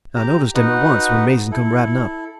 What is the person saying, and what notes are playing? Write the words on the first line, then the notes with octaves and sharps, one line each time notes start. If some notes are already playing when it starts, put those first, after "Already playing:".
I noticed him at once, when Mason come ridin' up.
G4 A#5
D#4 F#4 B4 D#5 F#5
E4 A4